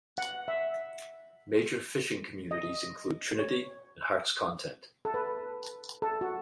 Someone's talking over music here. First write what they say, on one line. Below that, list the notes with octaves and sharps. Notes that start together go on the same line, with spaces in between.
Major fishing communities include Trinity and Heart's Content.
F#5
E5
D#5
C#5
A4
B4
A4
F#4